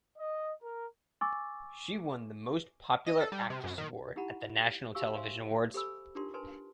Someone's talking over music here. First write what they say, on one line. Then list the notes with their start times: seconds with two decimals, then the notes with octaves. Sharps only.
She won the "Most Popular Actress" award at the National Television Awards.
0.17 D#5
0.63 A#4
1.21 G#5 C#6 D6 E6 A6
3.06 D#5
3.20 A4
3.32 G3
3.50 C3
3.64 F#2
3.78 D#3
4.16 D#4 E4 G4 F#5 A#5 B5
4.95 F#4 G4 F5 G#5 C#6 E6
5.14 C5 E5 F5 G#5 C6
5.74 G4 A4 C5 G#5 B5 E6
6.15 D4 D#4 F4 G4 A#4 C6
6.34 A#4 B4 G#5 A5 C6